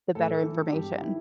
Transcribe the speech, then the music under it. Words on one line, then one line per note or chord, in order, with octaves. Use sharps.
the better information?"
A2 A4
E3
G2 G4
D#3 E4